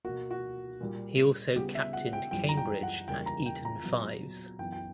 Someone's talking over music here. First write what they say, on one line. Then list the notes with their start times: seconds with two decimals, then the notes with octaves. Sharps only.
He also captained Cambridge at Eton Fives.
0.04 B2 A#3 F#4
0.31 F#4
0.81 A#2 G3 A#3
1.56 C#3 G3 B3 G4
1.75 E5
1.93 F#5
2.13 G5
2.31 F#2 E3 G3 G5
2.49 A#5
2.57 G5
2.83 F#5
3.08 E2 C#3 G3 A#3 G5
3.26 A#5
3.46 G5
3.65 A#5
3.83 A#2 F#3 B3
4.59 F#2 E3 B3 G5
4.72 G5